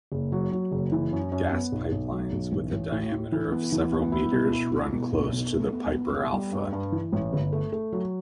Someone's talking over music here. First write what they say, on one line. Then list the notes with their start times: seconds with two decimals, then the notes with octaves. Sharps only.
Gas pipelines with a diameter of several meters run close to the Piper Alpha.
0.12 F#1
0.32 F#3
0.52 F#3
0.72 F#1
0.92 E3
1.12 F#2
1.32 F#2
1.52 B3
1.72 B1
1.92 B1
2.12 F#3
2.32 B1
2.52 A1
2.72 A1
2.92 A2
3.12 A2
3.32 E3
3.52 B3
3.72 E3
3.92 B3
4.12 E4
4.32 B2
4.52 E4
4.72 E4
4.92 B2
5.12 B1
5.32 B2
5.52 A3
5.73 B3
5.92 B3
6.12 B3
6.33 G3
6.52 G2
6.73 G2
6.92 E3
7.13 A1
7.33 G1
7.53 A3
7.73 A3
7.93 F#3